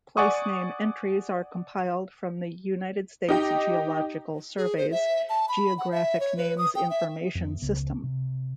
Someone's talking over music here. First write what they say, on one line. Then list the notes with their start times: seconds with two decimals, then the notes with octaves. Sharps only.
Placename entries are compiled from the United States Geological Survey's Geographic Names Information System.
0.17 D5 F#5 G#5 C#6 D#6
3.29 D#4 G4 D#5
4.57 G#4
4.77 C5
4.92 E5
5.29 A5
5.49 B5
5.78 F#5
5.92 E5
6.20 C#5
6.37 B4
6.58 D#6
6.76 G5
6.90 E5
7.35 F2 B3
7.62 C#2 C#3 B3
8.03 C3